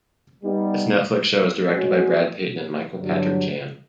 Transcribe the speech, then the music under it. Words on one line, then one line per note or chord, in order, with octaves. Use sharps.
This Netflix show was directed by Brad Peyton and Michael Patrick Jann.
G3 B3 D#4
G#3 C#4 F#4
G2 D3 F#3